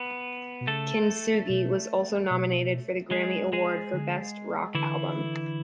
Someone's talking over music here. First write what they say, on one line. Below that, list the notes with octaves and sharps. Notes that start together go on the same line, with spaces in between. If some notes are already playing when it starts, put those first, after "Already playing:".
"Kintsugi" was also nominated for the Grammy Award for Best Rock Album.
Already playing: B3 B4
B2
C#3 A3 A4
B2
B2
G#3 G#4
G#3 G#4
D3
D3 E3 E4